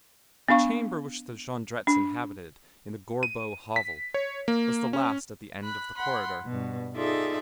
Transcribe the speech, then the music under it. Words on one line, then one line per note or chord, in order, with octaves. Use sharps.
The chamber which the Jondrettes inhabited in the Gorbeau hovel was the last at the end of the corridor.
B3 D4 F5 C#6
D4
D#7
B6
C#5
A#3
C#4
B5 F#6
F#5 B5 C6
G2 B2
D#4 F4 G#4 A4 D5 E5